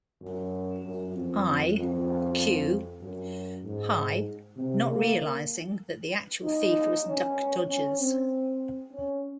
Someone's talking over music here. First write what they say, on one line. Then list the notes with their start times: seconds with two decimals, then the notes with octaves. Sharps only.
I. Q. Hi, not realizing that the actual thief was Duck Dodgers.
0.21 F#2
0.83 F#2
1.14 F2
1.76 F2
3.00 F#2
3.63 G#2
4.56 C3
4.87 A#3
6.43 D#4
7.05 C#4
7.68 C#4
7.98 C4
8.92 C#4